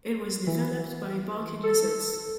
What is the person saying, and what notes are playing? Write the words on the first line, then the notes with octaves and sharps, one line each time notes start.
It was developed by Barking Lizards.
E3
A4